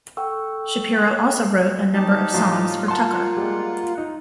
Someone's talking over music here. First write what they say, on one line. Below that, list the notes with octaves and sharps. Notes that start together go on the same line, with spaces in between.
Shapiro also wrote a number of songs for Tucker.
A4 F#5 G5 C#6 E6
D#4 G4 A5
A2 F3 F#3 F4
A#3 F#5 A5 C6
G3 G#3
D#4